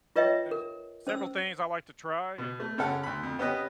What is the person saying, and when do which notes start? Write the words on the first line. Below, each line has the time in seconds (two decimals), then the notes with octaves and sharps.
there's several things I like to try, and,
0.16 F4 B4 C#5 D#5 E5 G5
0.51 A#4
1.07 C#4 C5 E6
2.38 B2
2.60 A3
2.78 F#2 C#3 A4 C#5 F#5 F6
3.03 D2 B5
3.23 F2
3.39 B3 C#4 G4 B4 D#5